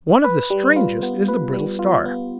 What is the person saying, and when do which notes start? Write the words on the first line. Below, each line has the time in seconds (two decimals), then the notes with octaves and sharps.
One of the strangest is the Brittle Star.
0.24 B4
0.50 G3
0.76 F4
1.03 B3
1.28 B4
1.54 G3
1.79 F4
2.05 B3